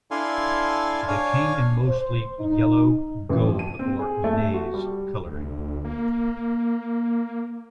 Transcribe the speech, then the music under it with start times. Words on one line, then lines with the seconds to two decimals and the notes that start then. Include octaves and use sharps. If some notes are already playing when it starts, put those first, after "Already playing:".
They came in mostly yellow, gold, or maize coloring.
0.11 D4 E4 A4 F5 G#5 C6
1.08 D4 C#5 F5 G#5
1.87 C5
2.40 D#4
3.29 A1
3.45 F3
3.59 D#7
3.79 C4
3.99 G#4
4.24 A3
4.54 F#4
4.74 G3
5.23 D2
5.84 A#3